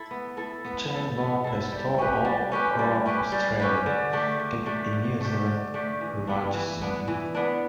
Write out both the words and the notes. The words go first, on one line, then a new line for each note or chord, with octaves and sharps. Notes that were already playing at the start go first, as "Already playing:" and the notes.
The chain now has stores all around Australia and in New Zealand's largest cities.
Already playing: E4 A4
B3
E4 A4
B3
E4 A4
B3
E4 A4
G3
C#4 G4 B4
G3
C#4 G4 B4
G3
C#4 G4 B4
G3
C#4 G4 B4
D3
A3 D4 G4
D3
A3 D4 G4
D3
A3 D4 G4
D3
A3 D4 G4
E3
B3 D4
E3
B3 D4
E3
B3 D4